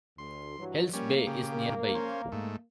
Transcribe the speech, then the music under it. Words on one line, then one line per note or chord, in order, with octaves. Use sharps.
Hells Bay is nearby.
D2 C6
G2 E3 F#3
G3 A#3 C#4
C#3 G4
C#4 C5
G#2 A3